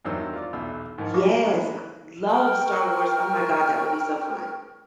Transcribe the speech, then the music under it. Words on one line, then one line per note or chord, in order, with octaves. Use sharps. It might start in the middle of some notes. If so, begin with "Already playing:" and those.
Yes. I love Star Wars, oh my god, that would be so fun.
E2 G2 D#3 F#3 C5 E6
F4 D5
B1 E2 B2 E6
G#2 D#3 F3
F#4 B4 D#5 F5 C#6 D6
D3 E3 G#3 A#3 B3
A#4 G5 C#6 F6